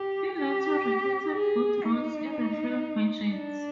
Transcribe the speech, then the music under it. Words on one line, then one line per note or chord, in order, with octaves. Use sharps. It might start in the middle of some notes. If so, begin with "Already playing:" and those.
He later repeated both roles in the film versions.
Already playing: G4
G4
G#4
D#4
D4